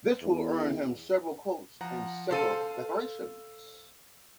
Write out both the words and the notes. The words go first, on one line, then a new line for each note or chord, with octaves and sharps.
This will earn him several quotes and several decorations.
E2
F3 F#5 A#5
A4 C5 F5 E6 D#7